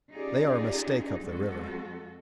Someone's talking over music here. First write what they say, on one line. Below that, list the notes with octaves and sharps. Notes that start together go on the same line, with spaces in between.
They are a mistake up the river.
C#4 D#4 F4 G4 G#4 D5
F2 G#3 F#4 A4